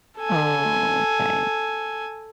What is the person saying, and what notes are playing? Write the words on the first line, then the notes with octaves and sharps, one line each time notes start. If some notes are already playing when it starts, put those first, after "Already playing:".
Oh, okay.
A4 G#5